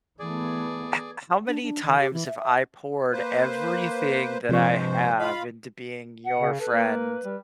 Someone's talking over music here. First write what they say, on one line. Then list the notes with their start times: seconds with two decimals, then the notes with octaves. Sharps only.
"H how many times have I poured everything that I have into being your friend
0.19 E3 A3 B3 G#4 D5
1.48 D4
1.62 D4
1.85 D#3
1.99 G4
2.13 E3
2.26 E5
2.39 E5
3.12 A#3 B4 C5
4.49 G2 C3 F3 G#3 C5 C#6
5.20 F4 D#5 F5 B5
6.25 F#5
6.39 C#3
6.59 A4 B4
6.72 A#3
7.25 G3